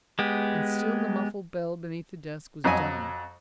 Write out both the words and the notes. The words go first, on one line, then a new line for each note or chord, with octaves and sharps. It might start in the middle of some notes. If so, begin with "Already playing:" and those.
And still the muffled bell beneath the desk was dumb.
G#3 B3 G4
F2 F#3 D#5 G#5